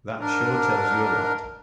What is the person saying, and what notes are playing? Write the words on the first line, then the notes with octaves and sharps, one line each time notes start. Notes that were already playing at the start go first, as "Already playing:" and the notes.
That sure tells you a lot.
G#2 D4 A#4